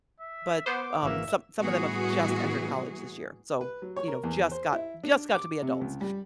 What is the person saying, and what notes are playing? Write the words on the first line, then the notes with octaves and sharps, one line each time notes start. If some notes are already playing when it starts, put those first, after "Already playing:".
but, um, some some of them have just entered college this year so you know, just got just got to be adults,
E5
B3 C5 D6
G#1 E3 A#3 E5
A2 E3 G3 B3 F#4 G#4
B4
F#3
C#5
A#4
E2
C5
E4
D4
D6
C3
C#2
G3